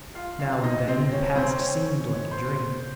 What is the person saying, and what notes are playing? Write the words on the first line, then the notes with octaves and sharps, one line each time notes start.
Now and then the past seemed like a dream.
F4 F5
F4 F5
D#4 D#5
C4 C5
C#4 C#5
C4 C5
C#4 C#5
C5 C6